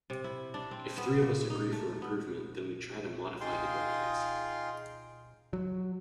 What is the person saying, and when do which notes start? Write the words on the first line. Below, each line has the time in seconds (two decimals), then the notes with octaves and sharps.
If three of us agree for improvement, then we try to modify the graphics.
0.10 C3
0.24 E4
0.54 D4
0.71 C4
0.98 B3
1.22 A#2
1.50 D#4
1.72 A3
2.02 B3
3.41 D#4 F4 G#4 F5 G5 C6
5.53 F#3